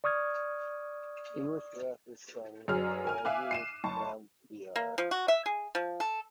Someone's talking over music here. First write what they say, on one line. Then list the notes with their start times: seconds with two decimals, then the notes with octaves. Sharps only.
English Rap is sung by Rahul Nambiar.
0.04 D5 C#6 D#6 F6 G#6
2.68 F#2 F#3 G#4 F6
3.05 A#4 G#5 F6
3.25 E5 F5 G#5 D6 F#6
3.51 C7 D#7 E7
3.84 F#1 A5 C#6
4.76 A#3
4.98 F3
5.11 F#4
5.28 E5
5.46 G#4
5.75 F3
6.00 A4